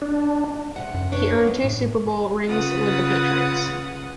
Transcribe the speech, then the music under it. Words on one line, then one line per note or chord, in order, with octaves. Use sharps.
He earned two Super Bowl rings with the Patriots.
D4
C3 F#5
F#2
D4 B4 C#5
E3 B3
A2
C#3 F4 B4 F#5 D#6